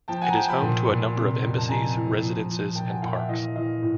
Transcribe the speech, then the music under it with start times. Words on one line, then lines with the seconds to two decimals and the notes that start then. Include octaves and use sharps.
It is home to a number of embassies, residences and parks.
0.08 F3 G5 A5
0.22 F#5 G#5
0.29 A#5
0.35 F3 G5 A5
0.48 A5 B5
0.62 A#2
0.89 A#2
1.16 C3
1.42 F2
1.58 A5
1.68 F2 G#5 A#5
1.96 E3
2.22 F3
2.49 F3
2.75 A#2 G5 A5
2.88 F#5 G#5
3.02 A#2 F5 G5
3.15 E5 F#5
3.29 E3 D#5 F5
3.56 E3 D#5 F5
3.82 A2